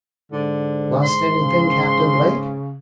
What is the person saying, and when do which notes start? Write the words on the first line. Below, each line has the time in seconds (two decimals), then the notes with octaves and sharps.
"Lost anything, Captain Blake?"
0.32 G#2 D3
1.03 C6
1.40 C#3